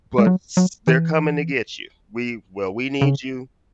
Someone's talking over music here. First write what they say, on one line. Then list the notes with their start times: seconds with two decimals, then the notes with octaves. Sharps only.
but s they're coming to get you, "We well, we need you
0.18 G#3
0.27 F#3
0.57 F#3
0.87 E3
3.01 C#3